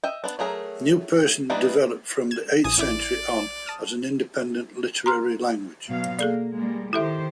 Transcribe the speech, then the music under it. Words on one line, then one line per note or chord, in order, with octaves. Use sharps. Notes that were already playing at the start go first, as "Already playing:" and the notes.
New Persian developed from the eighth century on as an independent literary language.
D#5 E5 G5
B3 D4
F#3 A3 G#4 A#4
E3 G3 B3 D4 D#4
G#6 E7
A#1 E3 G#5 D#6
A1 E4 D5 D6
A5 D#6 F6
A#5 C6 F6
B2 F#3 F5
A#3 G#4 A4 D5
G3 G#3 A#3
D#3 E4 G4 A4 C5 E5